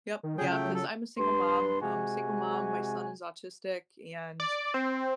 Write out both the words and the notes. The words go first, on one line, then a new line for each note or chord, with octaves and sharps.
Yep, yeah, 'cause I'm a single mom, um, single mom, my son is autistic, and,
D#3
C#3 F#3 F4 G#4 G5
A3 G5
A4
G2 B4 C6
C3 G#3 F#4 G#5
D5
C4